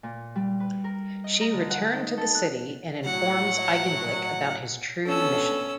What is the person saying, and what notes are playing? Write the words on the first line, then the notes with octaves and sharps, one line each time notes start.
She return to the City and informs Eigenblick about his true mission.
A#2
G3
B4
A#4
D#5
A#4
D3
F#5
D#4
A4
F#6
A2 F#3 F#5
B3 C#4 D4 A4 E6